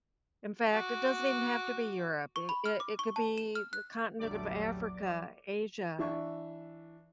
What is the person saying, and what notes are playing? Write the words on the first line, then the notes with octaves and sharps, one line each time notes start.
In fact, it doesn't even have to be Europe. Eh, it it could be the continent of Africa, Asia.
F#4 D6
C#6
B5
F6
D6
C#6
A5
E7
F6
F#6
A#1 E2 D3 F#3 G3 A3 D5 D6
E3 D4 E5 C#6